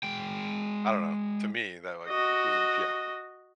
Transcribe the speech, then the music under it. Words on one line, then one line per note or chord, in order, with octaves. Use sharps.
I don't know, to me, that, like, was b yeah.
G#3 G5
F#4 D#5